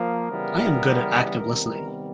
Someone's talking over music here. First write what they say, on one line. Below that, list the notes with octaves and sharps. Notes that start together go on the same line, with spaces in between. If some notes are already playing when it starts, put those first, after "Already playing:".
I am good at active listening.
Already playing: F3 A#3
C#3 E3 G3 B3 A#4
C3 D#3 G3 B3 A#4